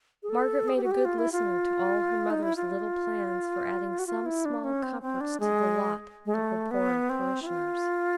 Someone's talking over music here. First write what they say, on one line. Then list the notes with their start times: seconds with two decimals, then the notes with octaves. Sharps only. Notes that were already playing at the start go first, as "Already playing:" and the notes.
Margaret made a good listener to all her mother's little plans for adding some small comforts to the lot of the poorer parishioners.
0.23 G#4
0.29 A4
0.68 G#4
0.76 G4
0.84 F#4
0.91 G4
1.05 F4
1.18 E4
1.32 F4
2.30 D#4
2.43 E4
2.56 F4
3.99 F#4
4.07 F4
4.26 E4
4.45 D4
4.64 C#4
4.83 C4
5.02 C4
5.21 D4
5.40 G#3
6.26 G#3
6.34 A3
6.71 B3
7.10 C4
7.42 E4
7.46 F4